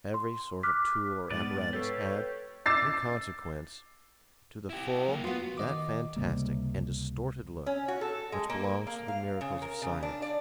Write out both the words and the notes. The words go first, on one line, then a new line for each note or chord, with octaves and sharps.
Every sort of tool or apparatus had, in consequence, to the full, that fantastic and distorted look which belongs to the miracles of science.
C6
D6 F6 F#6 B6
G#2 B3 B4 D5 A6
G4 A4 B4 C#5 F5
D6 E6 A6 C7
E4 G4
F#3 A#3
B3 F4 F#4
D#3 D#5 D6
C#2 C3 G3 A#3
C#4
F#4
A4
G#3
A#3
A#3
F5
C#3
A#4
C#3
D4
D5